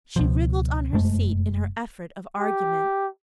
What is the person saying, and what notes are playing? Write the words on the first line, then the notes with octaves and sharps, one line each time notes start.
She wriggled on her seat in her effort of argument.
C#2 B2 F3
F1 F#2 G#3 A3
G4